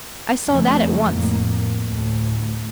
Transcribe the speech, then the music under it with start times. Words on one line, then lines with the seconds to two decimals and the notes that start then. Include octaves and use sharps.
I saw that at once.
0.47 F2 C#3 G#3 A3
1.10 F2 A2 A#3
1.84 D2 A2